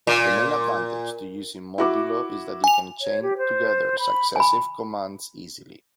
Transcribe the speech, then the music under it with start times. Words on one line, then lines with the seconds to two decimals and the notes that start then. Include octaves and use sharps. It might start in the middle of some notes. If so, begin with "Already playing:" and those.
The main advantage to using modulo is that you can chain together successive commands easily.
0.07 A#2
1.78 E4 F#4 D6
2.64 G#5 F7
3.01 C#5
3.22 G4
3.38 C5
3.99 B5
4.36 G#5 B5